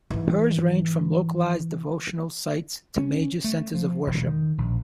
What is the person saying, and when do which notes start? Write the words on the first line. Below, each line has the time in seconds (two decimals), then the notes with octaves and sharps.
Pirs range from localized devotional sites to major centers of worship.
0.10 G#2 E3
2.97 C#4
3.44 A3
3.75 F3
4.07 E1
4.27 D#3
4.58 A#1